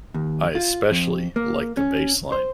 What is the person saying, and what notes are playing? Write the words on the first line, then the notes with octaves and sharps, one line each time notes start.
I especially like the bassline.
D#2
F4
F2
A#3
C#4
C5